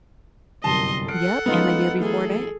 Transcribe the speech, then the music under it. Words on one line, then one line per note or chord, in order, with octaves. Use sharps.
Yep, and the year before that.
G1 C2 F#2 D#5 A5 C6
A4 F#5 F6 C7 D7
G3 G#3 B3 C#4 D#4 F4
E3 F#3 A3 G#4 A4